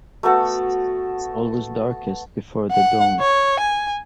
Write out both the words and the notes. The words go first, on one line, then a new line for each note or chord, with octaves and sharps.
It's always darkest before the dawn.
A3 B3 F#4 A4
F#5
C#5
G#5